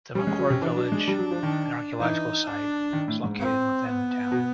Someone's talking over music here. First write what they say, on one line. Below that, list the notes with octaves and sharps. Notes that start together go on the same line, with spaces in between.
The McCord Village, an archaeological site, is located within the town.
G3 C#4
G#3
F#3
C3
E3 D4
F#3
G#3
G3
F#3
F3
D#3
E3 D#4
D4
D#3
A2
G#2
C4
B3
B2